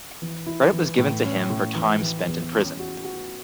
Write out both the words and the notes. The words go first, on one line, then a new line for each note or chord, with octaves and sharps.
Credit was given to him for time spent in prison.
E3
E4
E3
A2
C#4
A2
E3
E3
E2
C#4
F#4
F#4